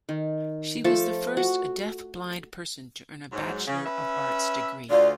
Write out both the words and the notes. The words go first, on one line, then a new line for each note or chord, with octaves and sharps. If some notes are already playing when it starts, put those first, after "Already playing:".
She was the first deaf-blind person to earn a bachelor of arts degree.
D#3
F3 A3 A4 A5
F#4
G#2 F#3
C#3
C#4 B4 E5
D2 F4 D5